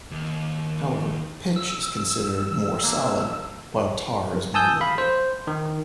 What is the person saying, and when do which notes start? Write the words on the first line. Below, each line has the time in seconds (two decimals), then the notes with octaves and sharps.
However, pitch is considered more solid, while tar is more liquid.
0.11 D#2
1.56 E6
2.82 D#2 A#3 D4
4.54 G#5 A5 D#6 E6 G6
4.81 F5 B5
4.98 C5
5.47 D#3